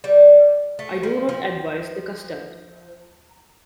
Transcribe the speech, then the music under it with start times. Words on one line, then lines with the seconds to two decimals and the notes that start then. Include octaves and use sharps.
I do not advise the custard.
0.04 G3
0.79 A3
1.03 F3
1.29 F3